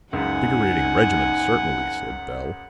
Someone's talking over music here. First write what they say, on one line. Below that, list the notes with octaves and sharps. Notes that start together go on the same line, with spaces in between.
"Invigorating regimen, certainly!" said Bell.
C#2 F#2 D#4 F#5 G#5